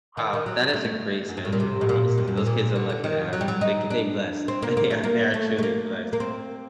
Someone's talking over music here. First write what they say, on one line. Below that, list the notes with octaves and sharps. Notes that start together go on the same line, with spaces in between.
Wow, that is a great schedule, honestly, those kids are lucky to have you. They c they blessed. They ar they are truly blessed.
D#3
D#3
F#3
A3
A3
F#2
G2
A2
A#2
C3
A2
A#2
G2
F#2
A2
A#2
D3
D3
D#3
F#3
G3
F#3
D#4
D4
C4
A#3
A#3
A3
A#3
A3
A3
A#3
A#3
C4